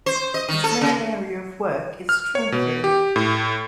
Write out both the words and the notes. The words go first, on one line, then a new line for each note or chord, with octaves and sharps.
His main area of work is String Theory.
C5
D#5
D#3
A4
C#3
F6
C#5
B2
G4
A2